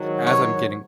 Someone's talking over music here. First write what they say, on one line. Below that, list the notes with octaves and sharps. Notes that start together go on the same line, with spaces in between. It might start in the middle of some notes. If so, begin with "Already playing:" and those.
as I'm getting
Already playing: G#2 D#3 F#3
C#5